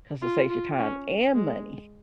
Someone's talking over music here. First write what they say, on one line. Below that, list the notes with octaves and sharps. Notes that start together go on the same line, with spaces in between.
'Cause it saves you time and money.
F4
F4
C#4
G#3